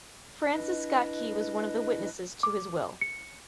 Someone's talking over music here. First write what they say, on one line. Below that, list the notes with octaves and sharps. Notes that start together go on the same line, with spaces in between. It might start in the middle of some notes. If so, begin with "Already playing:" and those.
Francis Scott Key was one of the witnesses to his will.
D4 E4 B4 D#5
D6
C#7